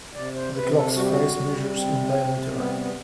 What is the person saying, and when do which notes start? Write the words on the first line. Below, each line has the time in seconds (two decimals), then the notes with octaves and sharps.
The clock's face measures in diameter.
0.14 C3 D5
0.35 C5
0.55 C3 B4
0.75 A4
0.95 G3 F#4
1.02 G4
1.09 F#4
1.35 G3
1.75 C3 C4
2.15 C3
2.55 G3 B3
2.69 C4
2.76 B3